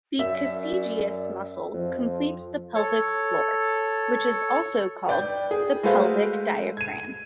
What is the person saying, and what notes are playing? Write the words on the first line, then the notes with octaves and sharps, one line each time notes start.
The coccygeus muscle completes the pelvic floor which is also called the "pelvic diaphragm".
F#2 D5 E5
F2 F3
A4 C#5
B4 D5 G5 G6
G#4
G#3 A3 F#4 B4 C5 F5
G#6 D#7